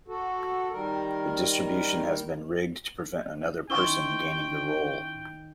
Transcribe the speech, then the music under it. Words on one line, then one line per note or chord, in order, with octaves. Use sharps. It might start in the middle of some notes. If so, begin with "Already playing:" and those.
The distribution has been rigged to prevent another person gaining the role.
F#4 A4
D#3 G3 A#4
D#3 C#4 E4 G5 C6 C#6 E6 G7